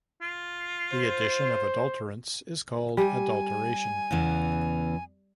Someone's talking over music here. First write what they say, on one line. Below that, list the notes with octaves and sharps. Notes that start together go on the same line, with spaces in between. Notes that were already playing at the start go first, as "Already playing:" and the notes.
The addition of adulterants is called adulteration.
F4
C5
G3 G#5
E2 C#3 E3